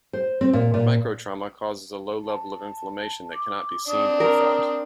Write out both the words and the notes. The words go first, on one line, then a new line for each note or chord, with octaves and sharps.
Most microtrauma cause a low level of inflammation that cannot be seen or felt.
C5
C4
A#2
A#2
A5
D6
C4 D4 D#6
A#4